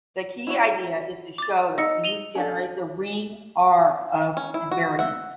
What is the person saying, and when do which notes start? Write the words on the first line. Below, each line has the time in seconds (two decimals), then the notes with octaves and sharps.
The key idea is to show that these generate the ring "R" of invariants.
0.47 E4 F#4 C#5
1.38 D6 A6
1.78 D#4 D#5 E6 C#7
2.04 D#7 F7 G7
2.35 C#4 D4 A4
4.37 C#4
4.54 E4
4.71 F#4
4.99 E5 F#5